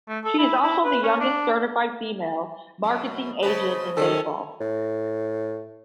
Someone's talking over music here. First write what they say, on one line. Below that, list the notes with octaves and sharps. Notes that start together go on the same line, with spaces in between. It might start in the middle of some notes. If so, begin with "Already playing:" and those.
She is also the youngest certified female marketing agent in baseball.
A3
A4
E4
E4
B4
C#4
D4
F#2 B2
C#3 B4 C5 D#5 A5
C3 D#3 C#4 A4 D#5
A2